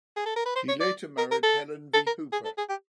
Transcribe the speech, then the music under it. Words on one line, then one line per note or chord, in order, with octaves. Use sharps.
He later married Helen V. Hooper.
G#4
A4
A#4
B4
C5
C#5
D5
A#4
A#4
A4
A4
A#4
G#4
A4
G#4
G4